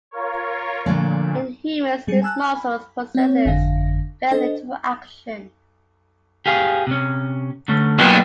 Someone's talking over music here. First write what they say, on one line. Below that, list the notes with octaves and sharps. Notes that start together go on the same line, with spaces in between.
In humans these muscles possess very little action.
F4 A#4 C#5
A#2 D3 F3 A3
G#2 G3 G#4 C#7
G#5 A5 E6 F#6
B5
C4 C#5
G1 F2 D3 E5 F5 A#6
D4 A4 C5 D#5
G4 G#4 F5
C3 C#4
D3 A3 C#4
B1 A#2 B3 G5